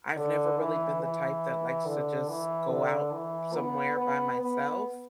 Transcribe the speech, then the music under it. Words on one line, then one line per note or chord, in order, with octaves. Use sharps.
I've never really been the type that likes to just go out somewhere by myself,
D3
E3
E3
D3
E3
D3
E3
B3
B3
B3